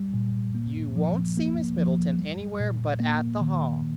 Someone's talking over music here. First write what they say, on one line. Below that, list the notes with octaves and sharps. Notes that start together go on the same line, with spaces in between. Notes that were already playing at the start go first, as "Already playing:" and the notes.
"You won't see Miss Middleton anywhere but at the Hall."
Already playing: G3
A#2
A#3
F3
A#3
F3
G3
A#2
A#3
D#3